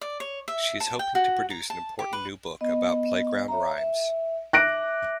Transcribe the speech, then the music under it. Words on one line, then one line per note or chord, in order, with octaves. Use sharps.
She is hoping to produce an important new book about playground rhymes.
D5
C#5
E5
A5
G5
F#4
A#5
A5
G4
B4
B3 D#5
C#5 E5 A#5
E5
E5 D6 F#6 A#6 D7